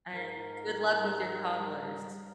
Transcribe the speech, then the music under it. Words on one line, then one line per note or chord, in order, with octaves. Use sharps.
And good luck with your toddlers.
G#2 A#4
G3